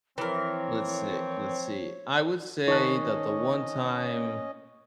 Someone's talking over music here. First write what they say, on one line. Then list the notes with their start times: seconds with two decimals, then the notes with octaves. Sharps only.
Let's see, let's see. I would say that the one time
0.18 E3 F3 C4 A#4 C#5
2.68 D#3 C#4 C#5 D#5 A5 F#6